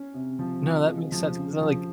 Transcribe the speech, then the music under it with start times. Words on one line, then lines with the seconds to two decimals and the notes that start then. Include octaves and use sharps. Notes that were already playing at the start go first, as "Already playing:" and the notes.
No, that makes sense, 'cause I like
Already playing: C#4
0.14 C3
0.39 F3
0.63 F3
0.88 G#3
1.12 F3
1.36 C#3
1.61 F3